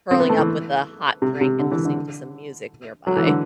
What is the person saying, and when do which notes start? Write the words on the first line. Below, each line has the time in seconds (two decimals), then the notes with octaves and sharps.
curling up with a hot drink and listening to some music nearby.
0.11 C4
0.20 B3
0.29 A3
0.39 E3
1.22 C3
1.41 C3
1.59 D3
1.72 E3
1.85 D3
3.07 F#3
3.17 E3
3.26 D3